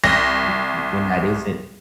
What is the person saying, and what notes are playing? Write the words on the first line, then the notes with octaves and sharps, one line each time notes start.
w m when that isn't,
C2 A#6